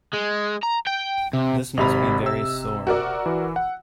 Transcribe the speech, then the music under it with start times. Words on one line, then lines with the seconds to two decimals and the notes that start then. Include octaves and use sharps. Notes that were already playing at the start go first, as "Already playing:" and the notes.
This must be very sore.
0.14 G#3
0.63 A#5
0.87 G5
1.33 C3
1.77 G#1 C3 D#5 B5 F7
2.23 C3 E6
2.87 F#4 A#4 D5
3.26 E3
3.56 F#5